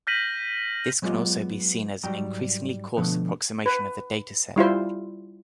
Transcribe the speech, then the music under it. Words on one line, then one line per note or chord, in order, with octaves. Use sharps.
This can also be seen as an increasingly coarse approximation of the data set.
F6 G6 A#6 B6 D#7 F#7
F#3 G#3 B3 F4 G4 D#5
G#2 F#3 G3 G5 A#5
B2 D3 F3 A3 B3
B4
G3 E4 F4 C5